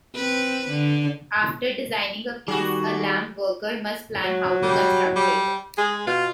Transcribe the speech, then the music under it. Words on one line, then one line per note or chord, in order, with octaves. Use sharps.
After designing a piece, a lampworker must plan how to construct it.
C4 B4
D3
D#3 G3 F#4 G#4
F#3
G3
G3
G#3 G#4
B2 F4